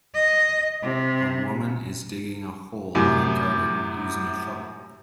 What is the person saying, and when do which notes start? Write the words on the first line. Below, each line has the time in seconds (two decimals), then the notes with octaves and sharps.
A woman is digging a hole in a garden, using a shovel.
0.14 D#5
0.83 C3
2.95 F#2 A2 C3